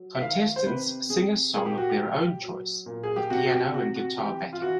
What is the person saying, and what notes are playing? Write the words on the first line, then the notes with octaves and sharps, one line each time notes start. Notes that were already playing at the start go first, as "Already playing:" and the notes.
Contestants sing a song of their own choice with piano and guitar backing.
Already playing: F#3
E5
D#3 F5
C5
C3 B4
C3 G#4
A#2 G#4
G4
F#4
G4
F#3
F#3
A#2
G#4
G4
C3 F#4
F#4
G4
C3 F#4
F#4
E3 G4
F4
E3 F#4